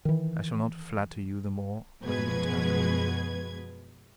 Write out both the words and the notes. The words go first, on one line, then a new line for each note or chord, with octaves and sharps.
I shall not flatter you the more, I am determined.
D#3 E3
F#2 B2 F3 G#3 B4 G#6